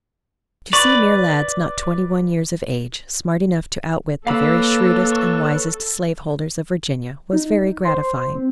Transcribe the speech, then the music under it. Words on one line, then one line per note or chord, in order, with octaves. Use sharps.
To see mere lads, not twenty-one years of age, smart enough to outwit the very shrewdest and wisest slave-holders of Virginia was very gratifying.
B4 D5 C#6
A#3 A4 B4 C#5 F5 B5 E6
C#6
D#4
C5 C6
C4